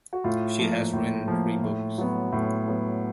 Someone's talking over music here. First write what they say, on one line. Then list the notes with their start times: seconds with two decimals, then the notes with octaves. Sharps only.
She has written three books.
0.13 F#4
0.24 A2 F4
0.59 F3 A#3
0.93 A2
1.28 F3 A#3
1.63 A2
1.98 F#3 B3
2.32 A2
2.68 F#3 B3